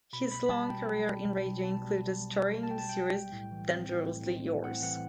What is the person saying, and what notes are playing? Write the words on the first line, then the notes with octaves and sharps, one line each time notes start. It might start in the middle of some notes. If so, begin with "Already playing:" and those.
His long career in radio included starring in the series "Dangerously Yours".
B2 B5
B1 B5
B5
G3 A5
B2 G5
B1
G3
B1
B1
B2 A5
G3
G3
B1
B2
G3
A5
G5
B2 A5
G5
B1
G3
A2
E3
C4
A2
A2
C4
A2
C4 F#5
E3 F#5